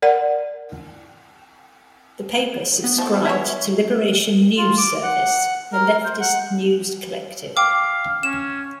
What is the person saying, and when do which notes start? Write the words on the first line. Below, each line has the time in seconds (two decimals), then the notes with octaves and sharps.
The paper subscribed to Liberation News Service, a leftist news collective.
0.02 A#4 D5 F#5
2.84 B3
2.98 F3 A3
3.26 B2 G#3 C#5 E5
4.57 F4
4.78 D6
5.03 F#5
5.73 A#4
6.05 C5
6.20 F#5
7.57 F5 G5 D6
8.23 C#4 E7